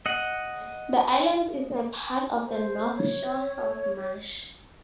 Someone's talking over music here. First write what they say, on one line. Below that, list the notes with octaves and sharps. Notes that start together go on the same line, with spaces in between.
The island is a part of the North Shore Salt Marsh.
D#5 F#5
C5
C#5